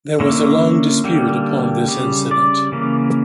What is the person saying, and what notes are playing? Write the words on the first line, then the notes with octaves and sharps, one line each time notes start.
There was a long dispute upon this incident.
D3 A#3 C#4 E4
D3 G3 A#3
C#3 G3
D5 D6
C#3 E3 A#3